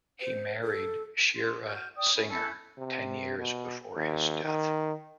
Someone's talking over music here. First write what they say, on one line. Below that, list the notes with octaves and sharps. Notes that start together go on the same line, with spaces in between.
He married Shira Singer ten years before his death.
C5
A4
C6
F#4 F6 G6
D5 G5 D#6
C#4 E4 B5
A4
C3
B2
D#2
D#3